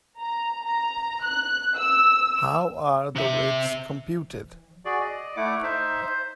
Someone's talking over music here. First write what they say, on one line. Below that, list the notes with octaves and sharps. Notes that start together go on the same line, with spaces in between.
How are the weights computed?
A#5
A#5
F#6
E6
C3 E5
F#4 G#4 D5
D5 D#5
A3 E4 F#5 D6
D#4 C5 E5
C5